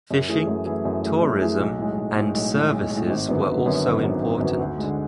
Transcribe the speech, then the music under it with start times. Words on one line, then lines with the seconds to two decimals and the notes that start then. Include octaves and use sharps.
Fishing, tourism and services were also important.
0.11 F#2
0.28 E3 A3 E4 G#4
0.47 F#2
0.66 E3 A3 E4 G#4
0.85 F#2
1.04 E3 A3 E4 G#4
1.22 F#2
1.41 E3 A3 E4 G#4
1.60 B1
1.79 A2 G#3
1.98 B1
2.16 A2 G#3
2.34 B1
2.53 A2 G#3
2.72 B1
2.91 A2 G#3
3.10 G#1
3.29 F#2 D3 F#3 B3
3.47 G#1
3.66 F#2 D3 F#3 B3
3.85 G#1
4.03 F#2 D3 F#3 B3
4.22 G#1
4.41 F#2 D3 F#3 B3
4.59 D2
4.78 D3 G#3